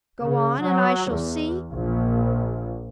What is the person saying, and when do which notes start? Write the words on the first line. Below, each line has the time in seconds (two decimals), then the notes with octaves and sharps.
Go on, and I shall see?
0.21 C#3
0.61 F#3
1.11 E2
1.71 A#1